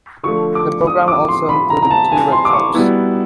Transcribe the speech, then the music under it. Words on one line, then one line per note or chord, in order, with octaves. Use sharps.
The program also included two workshops.
D3 F3 A3 C#6
D6
D#6
D6
C6
B5
A#5
A#5
A5
G#5
C6
D6
C#6
B2 G3 B3 E4